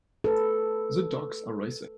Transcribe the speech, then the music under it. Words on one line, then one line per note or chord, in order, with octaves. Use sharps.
The dogs are racing.
A4 B4